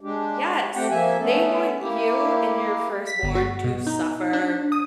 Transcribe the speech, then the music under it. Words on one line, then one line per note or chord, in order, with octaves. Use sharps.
Yes. They want you and your firstborn to suffer.
G#3 D4 G4
A3 C4 G4 F#5 G5
F3 A#3 E5 G#5
A3 B3 C#4 A4
A#3 E4 G4
B6
G1
F#4
B2
D#4
D4
D#6